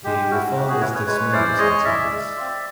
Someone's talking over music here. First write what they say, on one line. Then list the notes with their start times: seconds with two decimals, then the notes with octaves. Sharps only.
The Reformers' dismay was intense.
0.04 G#3 G4
0.30 C#4 E4 F#4
0.56 G#3 G4
0.68 F#4 G#4
0.81 E4 B4 C#5
0.86 C#4
0.94 B4 C#5
1.07 G#3 B4 C#5
1.32 C#4 E4 C5 D5
1.58 G#3 C#5 D#5
1.84 C#4 E4 D5 E5
2.10 G#3
2.36 C4 F4